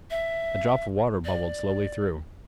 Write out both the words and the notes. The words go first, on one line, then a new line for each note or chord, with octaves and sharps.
A drop of water bubbled slowly through.
E5
D5